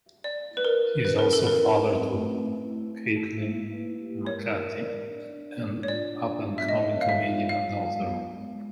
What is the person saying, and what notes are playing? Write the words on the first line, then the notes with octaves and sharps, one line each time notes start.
He is also father to Caitlin Macatee, an up-and-coming comedian and author.
D5 F5
E4
B4
A#4
F5
C#4 B4
A#4
E4 A4
A#4
B4
C4
A3
A3
E4
E4
E4
A#3
B4
G4
A#4 C#5
A#4
D5
D4
D4
D4
C#5
F4 D5
D4
B3
E5
A#4 D#5
C#5
F5
E5
F4
F#3 F5
F#3
B3
G#3
G#3